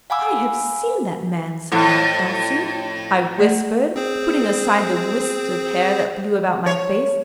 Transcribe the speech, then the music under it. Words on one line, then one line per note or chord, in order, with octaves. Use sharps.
'I have seen that man somewhere, Elsie,' I whispered, putting aside the wisps of hair that blew about my face.
F5 F#5 G#5 B5 D6 E6
F2 A2 E4 A4 F#5
A3 D5
C4 G#4 C5
C#5